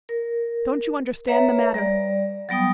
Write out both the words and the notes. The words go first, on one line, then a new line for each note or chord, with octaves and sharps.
Don't you understand the matter?
A#4
B4 C#5 E5 A#5
G3 D5
F#3 G3 B3 G5 D#6